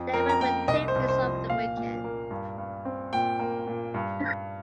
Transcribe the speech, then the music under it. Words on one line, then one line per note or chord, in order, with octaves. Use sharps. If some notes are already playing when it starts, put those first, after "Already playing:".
The event will take place over the weekend.
Already playing: F2
F2 A#4
A#5
A#3 G5
C2 D#5
C5
C2
C5
F3
A#2 F5
A#2
A#3
G2
G2
C4
A#2 G5
A#3
A#2
G2
G2